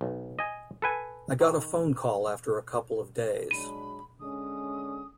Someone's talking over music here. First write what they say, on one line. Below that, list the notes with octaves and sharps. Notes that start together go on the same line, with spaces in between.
I got a phone call after a couple of days.
B1
D#5 G#5
A4 B4 G#5
D#3
F#3 G#3 D4 B5 D#7
D3 G#3 C#4 D#6